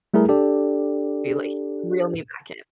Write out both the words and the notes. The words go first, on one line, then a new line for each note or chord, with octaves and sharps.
be, like, reel me back in.
G3 A3 E4 G#4 A#4
D4 G4 A4 D5